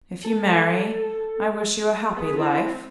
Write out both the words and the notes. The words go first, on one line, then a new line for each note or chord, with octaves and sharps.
If you marry, I wish you a happy life.
A4
B3 G#4
C4 E4